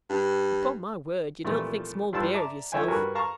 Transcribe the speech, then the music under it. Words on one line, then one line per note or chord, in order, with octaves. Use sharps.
'Upon my word, you don't think small beer of yourself!
G2
C2 A#2 E3 F3 A3
G2 F4 C5 D5 A5 E6
D5 E5 A5 A#5 D6
F3 A4 C#5 E5 G5 G#5
G2 F#4 A#4 B4 G#5
F5 A5 A#5 C#6